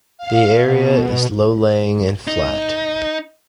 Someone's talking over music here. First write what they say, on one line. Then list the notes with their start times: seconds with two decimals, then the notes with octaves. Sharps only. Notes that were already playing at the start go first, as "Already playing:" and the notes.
The area is low laying and flat.
0.18 F5
0.64 B2
2.27 D#4